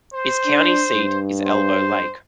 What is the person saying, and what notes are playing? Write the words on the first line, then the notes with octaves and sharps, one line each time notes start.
Its county seat is Elbow Lake.
C5
D4
G2
C5